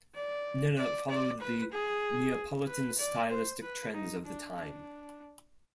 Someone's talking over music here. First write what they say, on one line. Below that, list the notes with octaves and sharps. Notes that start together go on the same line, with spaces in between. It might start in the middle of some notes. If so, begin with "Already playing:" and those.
Nenna followed the Neapolitan stylistic trends of the time.
D5
D5
D5
B4
G#4
B4
D5
C5
B4
D#4
D4
D4